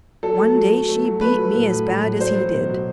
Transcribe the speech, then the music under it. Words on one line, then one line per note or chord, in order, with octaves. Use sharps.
One day she beat me as bad as he did.
F#3 A4
A3
F#3
F#3
A3
F#3
A3 B4
F#3
A2
A2
F#3
A2
F#3 C5
F#3
B2
F#3